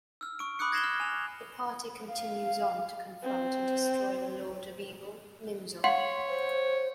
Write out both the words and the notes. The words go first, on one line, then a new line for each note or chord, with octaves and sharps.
The party continues on to confront and destroy the lord of evil, Nimzo.
E6 F6
C#6 D7
B5 D6 D#6 F#6 C#7
G#6 A#6 C7 E7 F#7 G7
F6
G#5 F7
F5
C4
C#5 F5 F#5 C6
C5